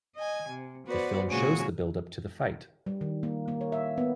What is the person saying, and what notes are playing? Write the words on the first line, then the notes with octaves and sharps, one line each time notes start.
The film shows the buildup to the fight.
D#5 G#5
C3
B3 F#4 B4 C5 D5
A#2 C#3 G#3 C#4 F#4
G3
D#3
A#3
A#3
C#5
E5
B3